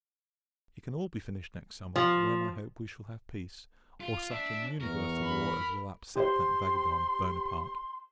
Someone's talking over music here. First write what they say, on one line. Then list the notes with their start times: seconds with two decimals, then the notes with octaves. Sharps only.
It can all be finished next summer; when, I hope, we shall have peace, or such an universal war as will upset that vagabond, Buonaparte.
1.96 F3
4.00 F4
4.31 D4 E5
4.81 E2 A#4 C#6
5.23 B5
6.15 G4 C5 C6